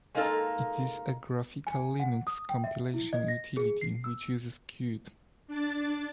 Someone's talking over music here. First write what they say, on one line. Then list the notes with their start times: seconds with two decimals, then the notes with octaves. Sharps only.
It is a graphical Linux compilation utility, which uses Qt.
0.14 G#3 A#3 D#4 F4 A4
1.67 G#5
2.00 F#5
2.27 D#6
2.49 G5
2.64 E5
2.94 E4
3.13 D#5
3.28 A#6
3.57 G#4
3.81 C7
4.04 E6
5.47 D4 A6